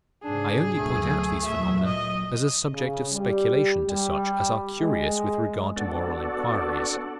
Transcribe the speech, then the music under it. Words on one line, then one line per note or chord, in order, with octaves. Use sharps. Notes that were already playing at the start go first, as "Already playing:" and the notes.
I only point out these phenomena, as a subject of speculation to such as are curious with regard to moral enquiries.
G#2 C#3 D4 G#4
D2 B2 F#3 A3
A#2 F#3 E5
D#5
C#3
G3
G3
G#3
B3 D4 F#4 A4 D5